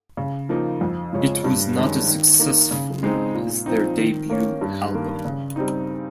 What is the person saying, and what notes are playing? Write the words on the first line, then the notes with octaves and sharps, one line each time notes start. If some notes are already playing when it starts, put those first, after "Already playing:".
It was not as successful as their debut album.
C#3
F3 A#3 D#4
F2
C#3 F3 G#3 C#4
G2
D#3 G#3 C#4
D#3
A#3 D#4
C#3
G#3 C4 D#4
A#2
F3 C4 D#4
D#3
A#3 C#4
G2
D#3 A#3
C#3
G3 C4 D#4